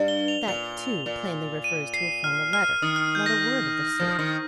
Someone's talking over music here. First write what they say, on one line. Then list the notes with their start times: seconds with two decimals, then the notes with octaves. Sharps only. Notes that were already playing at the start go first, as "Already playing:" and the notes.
That, too, plainly refers to a former letter--not a word of the sort.
Already playing: G2
0.08 G7
0.28 F7
0.47 A#2 F7
1.06 A#2
1.64 D#7
1.94 C7
2.24 F6
2.53 F6
2.82 D#3 D#6
2.96 F6
3.15 G6
3.26 A#6
4.00 F3
4.19 D#3